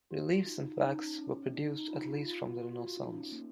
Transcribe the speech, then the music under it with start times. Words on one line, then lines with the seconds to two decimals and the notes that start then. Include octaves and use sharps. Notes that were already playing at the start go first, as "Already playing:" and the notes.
Reliefs in wax were produced at least from the Renaissance.
0.11 F#4
0.28 F4
0.47 D#4
0.77 D#4
0.83 C#4
1.19 C#4
1.54 D#4
1.79 D#4
1.89 F4
2.26 F4
2.62 F#4
2.78 F4
2.97 D#4
3.15 C#4
3.32 A#3